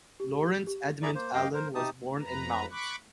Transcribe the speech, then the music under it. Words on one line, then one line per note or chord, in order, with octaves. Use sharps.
Laurence Edmund Allen was born in Mt.
G4
G4
E4 G#4 D5 A#5 B5
A#3 C5
F#2 G4 D#5 F5 G5
A#4 C5
C3 D#4 G4 A5 D#6
F2 B4 A#5
B5 C#6 D6 F#6